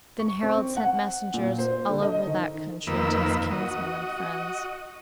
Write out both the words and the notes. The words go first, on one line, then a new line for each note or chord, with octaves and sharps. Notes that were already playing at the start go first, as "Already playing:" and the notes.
Then Harald sent messengers all over that country to his kinsmen and friends.
C#6
C4
F#5
A#2
C5
D3
D#5
D#3
F2 D#3 A#3 B4 E6
F#4 D#5